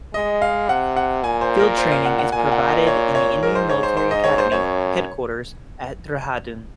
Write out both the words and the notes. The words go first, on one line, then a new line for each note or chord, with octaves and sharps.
Field training is provided in the Indian Military Academy Headquarters at Dehradun.
G#3 D#5
F5
C3 F#5
F#5
A#2 G#5
C5
A#4
C5
F5
F#5
F#5
A#2 G#5
F#5
D#5
C#5
C#5
G#2 A#4
C5
C#5
C5
C5
D#5
C#5
C5
F#2 C#5